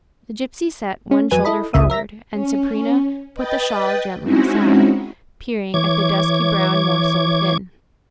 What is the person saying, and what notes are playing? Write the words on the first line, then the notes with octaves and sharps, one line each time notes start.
The gipsy set one shoulder forward, and Sabrina put the shawl gently aside, peering at the dusky brown morsel within.
C#4
F2 F#3 B4 G#5 D#7
E4 A4 D#5 B5
G1 C#2 C#3 E5 D#6
A#4 E5 A#6 B6
C#4
B4 D#5 G5 G6 A6
G#3 C4 C#4 D#4 E4 F#4
E3 C#5 D6 G#6